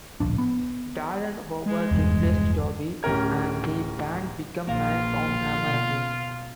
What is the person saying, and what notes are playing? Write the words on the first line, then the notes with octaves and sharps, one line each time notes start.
Darren Howard replaced Toby, and the band became Nine Pound Hammer again.
D1 A#1 D4
B3
G#3
F1 E2 G2
D1 C#4 G4 A#4 G#6
A#1 A#3 F4 F5
B2